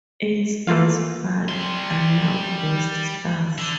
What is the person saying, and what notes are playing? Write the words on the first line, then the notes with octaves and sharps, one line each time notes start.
Ace and Spike are now guest stars.
E3 A3 A#3 F4 F5
G3 C6
D3